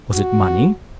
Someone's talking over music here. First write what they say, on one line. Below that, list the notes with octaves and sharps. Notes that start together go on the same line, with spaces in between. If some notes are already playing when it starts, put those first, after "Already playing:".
Was it money?
F#4